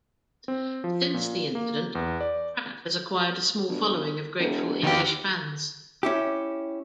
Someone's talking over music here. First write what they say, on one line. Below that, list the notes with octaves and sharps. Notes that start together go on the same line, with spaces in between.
Since the incident, Pratt has acquired a small following of grateful English fans.
C4
F3
A#2
A#3
E2
D5
G1
E1
B2 D#3 G4
C#4 E4 G4